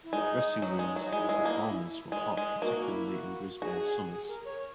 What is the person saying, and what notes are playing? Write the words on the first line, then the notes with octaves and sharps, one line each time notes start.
Dressing rooms for performers were hot particularly in Brisbane summers.
E4
G#3 D#4
F#3
G#3
F#3 D#4
G#3 E4
G#3
A#3
G#3
G#3
A#3 F#4
E4
F#4
F#4 G#4
G#4
A#4
C#5